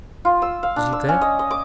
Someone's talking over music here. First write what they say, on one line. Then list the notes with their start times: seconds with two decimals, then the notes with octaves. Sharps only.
Is he dead?'
0.25 F4
0.42 E6
0.63 F5
0.76 D4
0.93 E6
1.09 C#4
1.22 D#5
1.39 D#5
1.51 D6